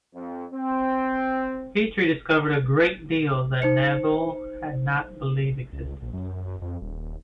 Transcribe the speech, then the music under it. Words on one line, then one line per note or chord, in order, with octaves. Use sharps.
Petrie discovered a great deal that Naville had not believed existed.
F2
C4
D#4 C5 C#7
C#2
A#1
F#2
F2
D#1